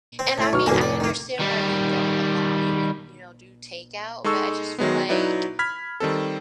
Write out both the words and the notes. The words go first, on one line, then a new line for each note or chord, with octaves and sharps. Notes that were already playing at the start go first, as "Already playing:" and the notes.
and, I mean, I understand why they don't allow you to, you know, do takeout, but I just feel like,
C4
A2 A3
B1 C#6 F6
F1 B1 A2 A#3 A#4 G#5
D5
D#3 A#3
D#3 G3
G#3 D#4 A4 C#6 E6
D#3 F#3 G#3 B3
F#3 D#4 E4 B4 D5
B5 F6 G#6 B6
D#3 G3 C4 A4